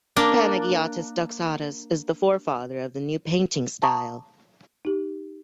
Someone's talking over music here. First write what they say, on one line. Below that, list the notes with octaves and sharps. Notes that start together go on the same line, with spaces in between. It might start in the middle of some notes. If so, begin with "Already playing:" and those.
Panagiotis Doxaras is the forefather of the new painting style.
A#3 D4
A5 A#5 C#6 D#6
D#4 G4